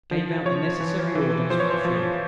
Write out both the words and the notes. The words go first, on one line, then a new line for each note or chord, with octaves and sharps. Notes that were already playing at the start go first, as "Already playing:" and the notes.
Gave out the necessary orders for the Fleet.
F3
F3 C#5
E3
E3
F3 C5
C#5
C5
F3